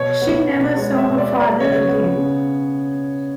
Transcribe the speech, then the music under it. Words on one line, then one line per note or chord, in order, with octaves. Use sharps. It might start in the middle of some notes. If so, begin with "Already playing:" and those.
She never saw her father again.
Already playing: B2 C#5
B3
B2
G#3 C#5
E5
B2
D5
B3
D5
C#3 C#5
B3
C#3